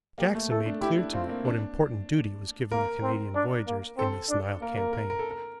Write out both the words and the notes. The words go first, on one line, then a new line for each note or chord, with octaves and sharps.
Jackson made clear to me what important duty was given the Canadian voyageurs in this Nile campaign.
A#3 G4
A3
A3 A4
D4
E4 G4
D4
C4 F4
A#3
D4
A#3 A#4
C4
D4
A#3
C4 A4
D4
A#3 A#4
A#4
A#4
A#4
A4
A#4